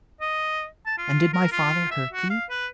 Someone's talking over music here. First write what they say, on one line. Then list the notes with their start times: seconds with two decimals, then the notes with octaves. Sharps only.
"And did my father hurt thee?"
0.21 D#5
0.86 A5
0.98 F4
1.33 A#4
1.52 F4
1.91 E5
2.13 F#4
2.30 F5
2.50 B4